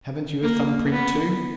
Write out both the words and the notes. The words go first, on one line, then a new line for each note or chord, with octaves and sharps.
"Haven't you a thumb-print, too?"
A#3
B3